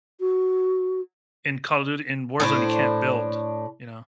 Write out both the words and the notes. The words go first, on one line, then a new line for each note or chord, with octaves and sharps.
in Call of Duty in Warzone you can't build, you know?
F#4
A2 D4 C5